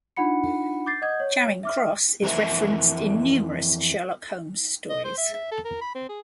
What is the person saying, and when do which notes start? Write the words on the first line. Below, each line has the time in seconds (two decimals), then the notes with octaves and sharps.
Charing Cross is referenced in numerous Sherlock Holmes stories.
0.17 D4 D#4 F4 F#5 B5 C#7
0.86 D6 G6 A6 C7
1.02 D#5 F#5 D#6 G6 G#6
1.20 C#5
1.63 E5 D6 F6
2.22 F2 E3 A#4 C5 E5
4.90 D#5
5.05 C5
5.18 E5
5.34 E5
5.51 A4
5.65 A#4
5.81 B5
5.95 C4
6.09 G#4